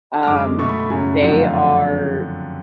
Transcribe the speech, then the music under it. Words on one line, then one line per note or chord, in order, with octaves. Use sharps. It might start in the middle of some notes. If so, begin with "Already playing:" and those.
um, they are
F6
F#2 D3 G#3 D6
B2 A3 C#6
B5
B5
F#2 C#3 F#3 A3 G#5
F2 D3 F#3 A3 F#5
F5